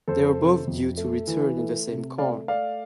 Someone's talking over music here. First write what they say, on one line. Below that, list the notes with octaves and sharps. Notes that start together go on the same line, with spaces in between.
They are both due to return in the same car.
F2 A4 C5
C3
F2
A3
E3
A3
C3
A3 D5 F5
A3 D5 F5